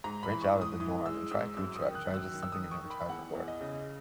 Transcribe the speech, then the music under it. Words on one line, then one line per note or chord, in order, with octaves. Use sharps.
branch out of the norm, and try a food truck, try just something you've never tried before.
G#2 A#5
B5
E3
C#6
G#2
D#6
E3 D#6
G#3 E6
G#2 E6
F#2 E6
D#6
D#3
F#6
F#2
E6
D#3
E6
D#6
D#3
C#6
D#3
B5
E2 F#5
E2
D#5
C#3